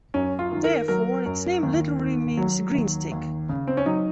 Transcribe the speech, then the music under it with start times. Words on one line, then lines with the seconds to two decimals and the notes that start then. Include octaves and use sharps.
Therefore, its name literally means green stick.
0.14 F#2 C#4
0.39 F4
0.51 D#3
0.64 A#4
0.88 F#3 A#4
1.26 F#2
1.63 D#2
2.00 D#3
2.37 F#3
2.75 D#2
3.12 D#2
3.49 C#3
3.67 C4
3.77 C#4
3.86 F#3 D#4